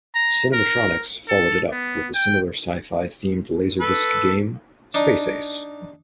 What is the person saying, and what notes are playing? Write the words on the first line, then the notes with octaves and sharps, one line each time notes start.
Cinematronics followed it up with the similar sci-fi-themed laserdisc game, "Space Ace".
A#5
A#4
A4
B3
G5
A4 B4
D4 D#4